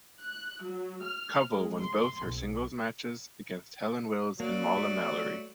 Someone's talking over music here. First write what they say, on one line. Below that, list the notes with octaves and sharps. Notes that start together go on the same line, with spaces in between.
Covell won both her singles matches against Helen Wills and Molla Mallory.
F#6
F#3
F6
G#3
C6
B1
F#3 A#3 D5
A3